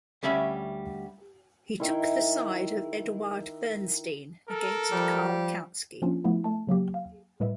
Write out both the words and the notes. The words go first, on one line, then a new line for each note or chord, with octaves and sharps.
He took the side of Eduard Bernstein against Karl Kautsky.
D2 G3 C#4 E5 B5
D#3 E4
A4 A#4
F3 G3
F3 A#3 C#4 D4 F4
F3 A3 B3 E4
A3 A5
C#3 F#3 A#3 G4
F5
A2 G3 B4 D#5 E5